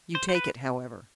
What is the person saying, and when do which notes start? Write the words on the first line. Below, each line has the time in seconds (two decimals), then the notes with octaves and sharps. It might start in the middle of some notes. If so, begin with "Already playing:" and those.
"You take it, however."
0.15 C5
0.29 C5
0.35 B4